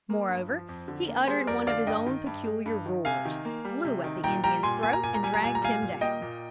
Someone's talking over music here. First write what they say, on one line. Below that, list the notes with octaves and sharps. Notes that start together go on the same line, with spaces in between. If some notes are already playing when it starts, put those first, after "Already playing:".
Moreover, he uttered one of his own peculiar roars, flew at the Indian's throat, and dragged him down.
A#3
G2
F3
F2
D3
A#3
G3 G#4 C5
F2 A#4 D5
D3 D5 F5
G2 D#5 G5
D#3
G2
G#3
G2
D#3
C3 F5 G#5
D#3
A#3
G3
C3
D#3
A#2 G5 A#5
G3 G5 A#5
A#2 G#5 C6
A#3 G#5
A#5
A#2 G#5
A#5
G3 G#5
A#5
A#2 G#5
A#5
G3 F5 G#5
A#2
A#3 D#5 G5
A#2